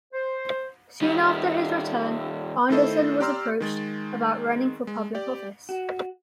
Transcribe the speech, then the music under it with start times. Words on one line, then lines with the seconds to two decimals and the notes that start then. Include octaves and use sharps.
Soon after his return, Anderson was approached about running for public office.
0.14 C5
1.02 D#3 G3
2.70 D#3 A3 E4 A4 C5 D#5
3.20 G4 D5 A#5 C6 E6 F6
3.60 D#3 G#3 A6
4.87 G#3
5.15 G4 D5
5.69 F#4